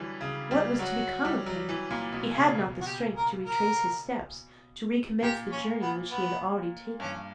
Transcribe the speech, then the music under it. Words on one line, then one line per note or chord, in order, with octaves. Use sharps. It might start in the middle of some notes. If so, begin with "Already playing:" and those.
What was to become of him? He had not the strength to retrace his steps, to recommence the journey which he had already taken.
Already playing: D3 E3 F#3 G3
C#3
G3
F#3 F#4
G3
F#3
E3
A#2
B2
C#3
B2
F#4
G4
A#4
A#4
A#2 G4
C#4
B3
B3
G2 C#4